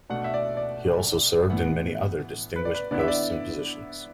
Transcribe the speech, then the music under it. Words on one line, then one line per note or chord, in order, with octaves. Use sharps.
He also served in many other distinguished posts and positions.
B2 A3 D4 F#5
E5
D5
D5
A2 E3 B3 F#5
B4
D5
B4
D3 B3 E4 D5
E5
D5